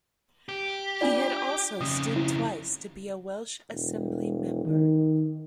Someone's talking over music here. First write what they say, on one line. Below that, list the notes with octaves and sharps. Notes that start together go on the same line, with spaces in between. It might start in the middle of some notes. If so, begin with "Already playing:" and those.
He had also stood twice to be a Welsh Assembly Member.
G4
D4 F4 D5
F2 C#3 D#6
E4
E1
D#3